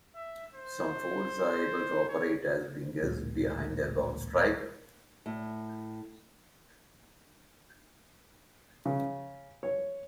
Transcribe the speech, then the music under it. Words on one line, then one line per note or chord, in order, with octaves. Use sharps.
Some forwards are able to operate as wingers behind a lone striker.
E5
C5
C#5
A1 D2 A#2 G#3
A2
C#3
C#5